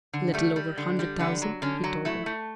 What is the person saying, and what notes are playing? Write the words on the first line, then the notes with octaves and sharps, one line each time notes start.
"A little over a hundred thousand," he told her.
D3
G3 A3
G3
D3
G3
D3 B3
F#3
D3 C#4
F#3
A3 E4
A3